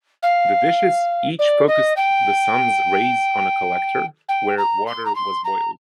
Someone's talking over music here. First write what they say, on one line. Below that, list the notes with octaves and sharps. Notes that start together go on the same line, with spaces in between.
The dishes each focussed the sun's rays on a collector, where water was boiled.
F5
D5
D#5
G5
G5
A#5
C6
A#5
C6
A#5